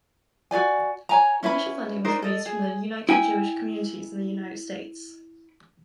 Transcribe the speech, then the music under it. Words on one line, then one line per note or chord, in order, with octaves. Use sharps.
Initial funding was raised from the United Jewish Communities in the United States.
F#4 G#4 D5 G#5
C#5 G#5 A#5
C#4 E4 B4 B5
D4 D#4 A#4 C5
A4 D#5
G#4
E4 G5 G#5